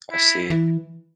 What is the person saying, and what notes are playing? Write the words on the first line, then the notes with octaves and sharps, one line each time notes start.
I see.
E4
E3